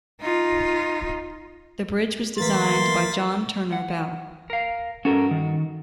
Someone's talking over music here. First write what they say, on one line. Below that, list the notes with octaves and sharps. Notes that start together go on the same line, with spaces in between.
The bridge was designed by John Turner Bell.
D#4 F4
D2 E3 A#3 B4 C6 A6 B6
F#5
A#4 F5
G2 C#4 F#4 A4 A#4
D#3